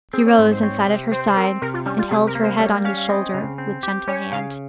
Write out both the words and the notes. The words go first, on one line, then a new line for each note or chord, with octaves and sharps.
He rose and sat at her side and held her head on his shoulder with gentle hand.
C4 G#4
C#5
G#2 C5
C5
C4 C#5
C3
C4 C5
C5
C4 A#4
C3 A#4
F4
G3 C#4
F4
C3 G#4
A#4
A#3
C5
G3 C#5
C#4 F5
F5
C4 D#5
C#3
C4
G4
C#4 C#5
C#3 F5